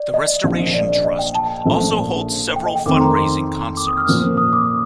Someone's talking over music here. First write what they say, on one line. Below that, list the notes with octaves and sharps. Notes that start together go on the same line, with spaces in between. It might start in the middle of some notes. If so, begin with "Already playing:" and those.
The Restoration Trust also holds several fundraising concerts.
Already playing: D5
D#5
A#1 A#2 F3
D5
D5
D#5
G5
A5
A#1 A#2 F3 A3
G5
D#5
G5
F2 D#3 A3 D6
C6
A#5
C6
D6
D#6
F6
A#2 F3 A#3
D#6
D6